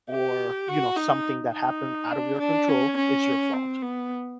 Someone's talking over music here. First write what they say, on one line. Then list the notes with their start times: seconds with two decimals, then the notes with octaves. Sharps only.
or, you know, something that happened out of your control, is your fault.
0.11 G4
0.68 F#4
0.96 D#4
1.53 D#4
2.11 D4
2.39 D4
2.69 C#4
2.97 C#4
3.54 C4
3.82 B3